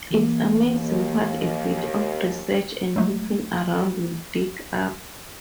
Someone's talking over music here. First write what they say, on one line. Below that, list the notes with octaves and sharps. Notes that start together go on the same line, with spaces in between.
It's amazing what a bit of research and looking around will dig up.
E3 A#3
D#2
F#3 G#3 A3